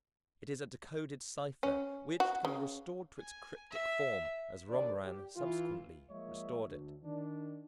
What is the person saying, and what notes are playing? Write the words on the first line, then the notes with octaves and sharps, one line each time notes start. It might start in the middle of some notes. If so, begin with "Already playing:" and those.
It is a decoded cipher, which can be restored to its cryptic form as Romarin subsequently restored it.
C#4
F#4
C#3
G#5
E5
D#2 D4 D5
G4
E3 F4
F3 G#3 A#3 C#5 D#5 E5
D2
D#3 D4